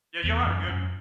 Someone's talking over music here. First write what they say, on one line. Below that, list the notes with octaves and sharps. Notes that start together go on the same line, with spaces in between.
Yeah, you had a good
E2
F#2
F#2